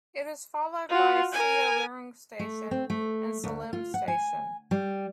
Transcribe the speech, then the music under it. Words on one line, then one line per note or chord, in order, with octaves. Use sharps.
It is followed by Seolleung Station and Sillim Station.
F4 F#4
A#4 G#5
A3
C4
A3
D2
F4
F#5
G#5
G3